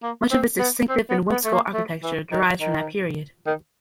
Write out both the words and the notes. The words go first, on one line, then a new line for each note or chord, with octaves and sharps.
Much of its distinctive and whimsical architecture derives from that period.
A#3
C4
B3
C4
B3
B3
A3
A#3
A3
E3
D#3
D#3
D#3